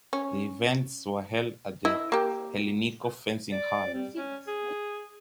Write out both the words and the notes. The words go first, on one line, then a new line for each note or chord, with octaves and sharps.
The events were held at the Helliniko Fencing Hall.
C#4
E4 D#5
A#3 G4
D5
G3
C#4
G#4